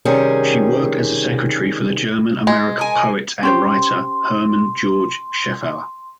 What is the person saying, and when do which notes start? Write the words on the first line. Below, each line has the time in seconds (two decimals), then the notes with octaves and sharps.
She worked as a secretary for the German-American poet and writer, Herman George Scheffauer.
0.05 C3 D#3 G3 C#4 G#4
2.47 G#3
2.79 A#4 G#5
3.43 C#4 G4 C5 C6